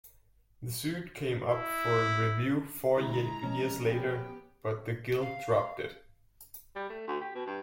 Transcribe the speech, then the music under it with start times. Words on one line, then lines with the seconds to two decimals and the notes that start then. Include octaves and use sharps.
The suit came up for review four years later, but the Guild dropped it.
1.48 E4
2.97 D3 G#3 D4 E4 A#5
3.43 E2 F3 G#3 C#4 A5
3.85 A#2 B3 F4 G4 G#4
5.21 F5
6.76 G3
6.90 A3
7.07 D2
7.21 G4
7.35 B2
7.47 G2